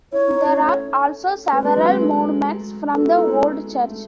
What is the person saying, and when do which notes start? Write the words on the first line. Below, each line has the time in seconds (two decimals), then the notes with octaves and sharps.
There are also several monuments from the old church.
0.12 E4 C#5
0.28 D#4
0.44 C#4
0.60 A3
1.53 G#3 B4
1.65 G#3
1.77 F#3
1.89 G#3
2.00 A3
2.94 B3 A4
3.00 F#4
3.05 E4
3.17 D#4
3.28 G#3
3.87 A3